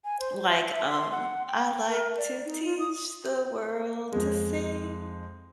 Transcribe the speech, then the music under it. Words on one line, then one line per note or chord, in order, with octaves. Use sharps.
like, um, "I like to teach the world to sing
G#5
C5
E5
E5
C6
F#5
G5
A#4
D5
D#4
F4
D#6
F2 G#3